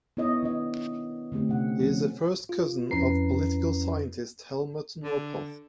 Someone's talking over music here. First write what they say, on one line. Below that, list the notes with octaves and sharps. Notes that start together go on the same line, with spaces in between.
He is a first cousin of political scientist Helmut Norpoth.
B3 E4 C#5 D#5
D#3 D4 D#5
D3 A3 C4 G4
C3 C#4 F#5
D#3 F3 C4 C#4
F4
F2 C#4 E4 B4 A#5 C7
D3